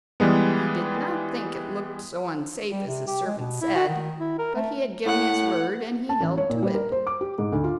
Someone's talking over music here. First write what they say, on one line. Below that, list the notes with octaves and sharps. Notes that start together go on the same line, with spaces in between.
He did not think it looked so unsafe as his servant said; but he had given his word and he held to it.
E3 G3 G#3 B3
G3
C3
G4
G#3
B2
E4
F#4
D#3
E4
A#4
A3
A2 F#5
A5
A1
C#5
A#2
G3
A#4
C5
D6
G4
G#2
D2
F4